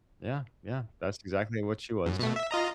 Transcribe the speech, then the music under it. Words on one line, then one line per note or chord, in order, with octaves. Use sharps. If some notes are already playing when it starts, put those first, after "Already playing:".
Yeah, yeah, that's exactly what she was.
F#2
B2 A3
E5
F4 D#5 A#5